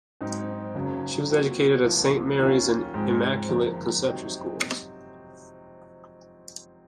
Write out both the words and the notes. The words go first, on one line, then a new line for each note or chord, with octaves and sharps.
He was educated at Saint Mary's and Immaculate Conception Schools.
G#2 F#3 C4 D#4
F#1 F#2 C#3 F#3
A#2 F#3 C4 F#4
C2 A#2 F3
D#2 D#3 F#3 C#4 F4
G#2 F3 G#3 C4
F#1 F2 D#3
C3 F#3 C4 D#4